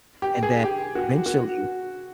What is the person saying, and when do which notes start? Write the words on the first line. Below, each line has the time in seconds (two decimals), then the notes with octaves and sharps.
and then, eventually,
0.22 G4
0.43 G#4
0.64 G4
0.95 F#4
1.26 F#4